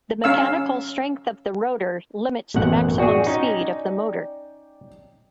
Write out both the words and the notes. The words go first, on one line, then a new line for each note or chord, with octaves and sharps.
The mechanical strength of the rotor limits the maximum speed of the motor.
C#4 F5 E6
A1 F#2 B2 F#5
F#4 G#4 D5 G5
C#4 D#4